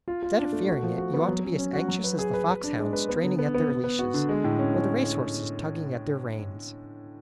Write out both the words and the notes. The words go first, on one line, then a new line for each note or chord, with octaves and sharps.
Instead of fearing it, you ought to be as anxious as the fox hounds straining at their leashes, or the race horses tugging at their reins.
F4
F4
D4
A3
F#4
F3
F#4
B3
F#3
C#4
C#4
F#4
F#3
B4
G#4
B4
B4
D4
G#3
B4
B3
D3
B3
B3
B3
B3
F#4
D3
G#3
A2
C#4
C#4